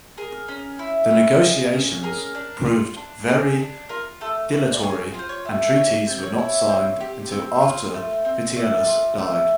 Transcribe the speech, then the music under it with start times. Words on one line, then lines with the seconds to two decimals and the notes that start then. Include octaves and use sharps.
The negotiations proved very dilatory and treaties were not signed until after Vitellius died.
0.18 G#4 A#4
0.48 C#4
0.79 E4
1.11 C#4
1.41 G#4
1.73 C#4
2.03 G#4 A#4
2.35 D4
2.65 F4
2.96 D4
3.28 G#4
3.59 D4
3.89 F4 A#4
4.21 A3 A4
4.52 C#4 B4
4.73 D5
4.83 G#4 C#5
5.14 F4
5.19 C5
5.29 C#5
5.45 A3
5.76 G4 C#5
6.07 C4
6.23 C#5
6.38 E4
6.69 C4
7.01 G4
7.31 C4
7.62 F4
7.94 A3
8.25 C4
8.56 A3 D5
8.87 F4
9.18 A3